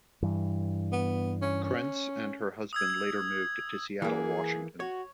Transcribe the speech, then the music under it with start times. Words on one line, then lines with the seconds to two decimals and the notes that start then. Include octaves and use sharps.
Krentz and her husband later moved to Seattle, Washington.
0.22 G2 E3
0.92 B3
1.42 C#4
1.64 C#4
2.73 D#6 E6 G#6
4.02 E3 A#3 G#4
4.80 F#4 C#5